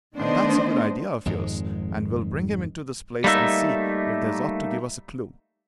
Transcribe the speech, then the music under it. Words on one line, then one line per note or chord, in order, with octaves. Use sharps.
And that's a good idea of yours, and we'll bring him into this place and see if there's aught to give us a clue.
D#3 A3 B3 D4 C5 D#5
G#1 F2 G#2 G#3
G3 A3 A#3 D#4 E5